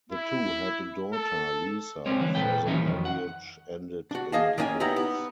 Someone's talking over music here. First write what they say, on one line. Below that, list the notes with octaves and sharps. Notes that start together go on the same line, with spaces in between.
The two had a daughter, Lisa, before the marriage ended in divorce.
E4
A4
G3 G#3 C4 C#5
D3 E3
A#2 A4 B4 G5
E3 F#3 G3 A3 C#4 D#4
F2 D#3
F#5
D4 F#4
A#3 G#4 D#5 F5 A5
D#3 A#3 C#4 F#5 G#5
B3 D#4 E4 G4 A#5
B3